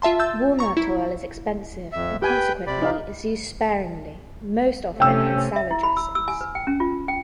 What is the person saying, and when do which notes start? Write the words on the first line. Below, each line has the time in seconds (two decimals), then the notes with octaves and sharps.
Walnut oil is expensive and consequently is used sparingly; most often in salad dressings.
0.02 F4 E5 A5 C6
0.19 E6 G6 A6
0.59 A#5 C#6
0.77 E4
1.92 F2 E5
2.22 G4 B4 G5 G#5
2.67 C3 D5 B5
2.82 D#4 F5
5.00 C3 A3 C#4 G5 E6
5.56 E5
5.71 E4
5.83 B5
5.97 E6
6.15 E6
6.28 G#5
6.41 B4
6.55 G5
6.67 C#4
6.80 F4
7.08 G5